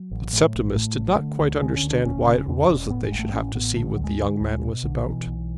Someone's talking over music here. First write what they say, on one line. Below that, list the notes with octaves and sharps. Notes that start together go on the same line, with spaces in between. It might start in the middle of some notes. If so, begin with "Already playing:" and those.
But Septimus did not quite understand why it was that they should have to see what the young man was about.
Already playing: F#3
A1
A2
A1
A2 A3
A1
D3
D2
D3 G#3
C#4
D2
D4
E1 C#4
C#3
E2
E1
A2 B3
G#3
A1
A3
A2 C#4
A1 B3
D3 A3
G#3
D2 F#3
G#3
D3
D2
B2
B1 D3
B2 E3
B1